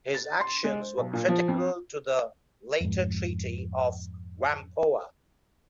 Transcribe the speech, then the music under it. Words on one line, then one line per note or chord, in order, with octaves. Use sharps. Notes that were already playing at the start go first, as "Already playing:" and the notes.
His actions were critical to the later Treaty of Whampoa.
A6
C6
G#3
C5
B1
A#2
F3
F2
F2 G#2